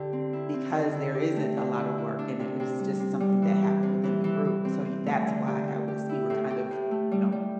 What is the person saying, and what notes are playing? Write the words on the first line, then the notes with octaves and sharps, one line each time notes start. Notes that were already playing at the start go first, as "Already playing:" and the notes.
because there isn't a lotta work and it it was just something that happened within the group, so y that's why I was we were kind of, you know,
Already playing: D3 G4
C4
E4
C4
D3
E4
G4
A3
D3
E4
E4
D4
C3
C3
G3
C3
G3
E3
G4
C3
E3
E3
E3
C4
C4
A3
D3
G4
A3
G4
E4
A2
G4
A2
A3
G3
G3